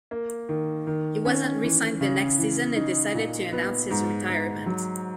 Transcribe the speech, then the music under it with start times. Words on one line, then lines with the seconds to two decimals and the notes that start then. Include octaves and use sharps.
He wasn't re-signed the next season and decided to announce his retirement.
0.11 A#3
0.49 D#3
0.87 D#3
1.25 C#4
1.63 E3
2.01 C#3
2.39 E3
2.76 D#4
3.14 A#2
3.52 B3
3.91 G#2
4.28 G#2
4.66 F#3